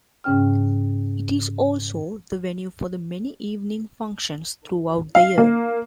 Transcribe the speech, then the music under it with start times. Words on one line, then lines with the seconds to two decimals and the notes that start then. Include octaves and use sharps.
It is also the venue for the many evening functions throughout the year.
0.24 G#2 C#3 C#4 G5 F6
5.15 F5
5.38 A#3